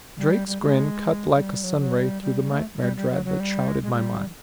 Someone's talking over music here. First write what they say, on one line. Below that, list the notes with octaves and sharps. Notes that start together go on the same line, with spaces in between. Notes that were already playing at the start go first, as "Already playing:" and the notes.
Drake's grin cut like a sunray through the nightmare dread that shrouded my mind.
G3
G3
G#3
G3
F#3
F#3
G3
G3
A3
G3
G3
F#3
F#3
G3
G#3
G#3
G#3
G3